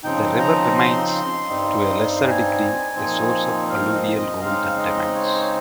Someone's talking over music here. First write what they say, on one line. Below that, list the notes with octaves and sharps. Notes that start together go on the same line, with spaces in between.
The river remains, to a lesser degree, a source of alluvial gold and diamonds.
C#3 F3 C4 D#4 G5
A#5
C6
G2 G3 C4 D#4
G#5
A#2 F3 C4 D#4
F5
D#5
D#5
C#3 G#3 C4 D#4 F5
D#5
C#5
C5
C#5